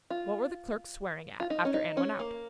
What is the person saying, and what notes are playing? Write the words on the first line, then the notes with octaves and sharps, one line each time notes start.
What were the clerks swearing at after Ann went out?
F4
F4
D#4
C#4
D#4
C#4
A#3